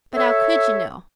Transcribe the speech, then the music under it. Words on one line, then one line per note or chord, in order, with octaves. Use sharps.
"But 'ow COULD you know?"
A4 C#5 E5